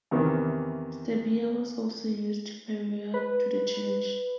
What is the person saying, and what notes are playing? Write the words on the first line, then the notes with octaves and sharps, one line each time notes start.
Stevia was also used prior to the change.
E2 C3 D#3 E3
B4